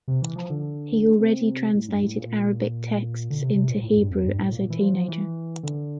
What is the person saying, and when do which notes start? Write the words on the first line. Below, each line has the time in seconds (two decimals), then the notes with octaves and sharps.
He already translated Arabic texts into Hebrew as a teenager.
0.08 C3
0.22 E3
0.36 F3
0.50 D3
1.19 C3
1.75 A2
1.88 G2
2.02 A2
2.16 A#2
3.30 D3
3.41 C3
3.55 C3
3.69 A#2
3.83 A2
3.97 G2
4.10 F2
4.24 G2
4.38 A2
4.52 A#2
4.70 E3
4.80 F3
4.94 F3
5.08 E3
5.63 D3